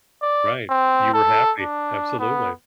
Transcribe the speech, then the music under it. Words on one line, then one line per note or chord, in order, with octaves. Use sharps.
Right, you were happy, absolutely.
D5
C4
A4
D4
B3